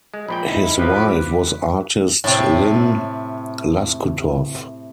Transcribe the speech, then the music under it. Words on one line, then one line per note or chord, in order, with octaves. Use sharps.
His wife was artist Lynn Loscutoff.
G#3
A#1 A#2 G5 B5
D#4 E4
C3 F3 B4 D6
A2 C3